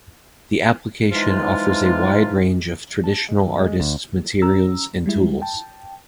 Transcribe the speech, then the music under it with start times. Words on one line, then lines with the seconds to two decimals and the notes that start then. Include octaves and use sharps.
The application offers a wide range of traditional artists' materials and tools.
1.12 E3 F3 G#3 D#4 F4
3.04 A5
3.29 G#3
3.42 F#2
3.59 G#3
3.80 D2
4.42 C#4 A#5 E6
5.06 G3 G#3 E4
5.42 G5 A5